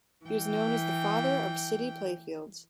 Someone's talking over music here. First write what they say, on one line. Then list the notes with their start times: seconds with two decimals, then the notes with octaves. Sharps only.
He was known as the "Father of City Playfields".
0.26 E3 G5